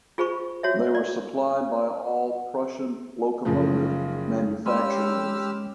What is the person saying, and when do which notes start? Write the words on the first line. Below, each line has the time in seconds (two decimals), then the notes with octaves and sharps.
They were supplied by all Prussian locomotive manufacturers.
0.18 F4 G#4 C5 B5 C#6
0.63 F#4 C#5 E5
0.95 D5
3.45 F#1 C#3 F3
4.66 G#3 C#4 G4 B5 C6 E6 F6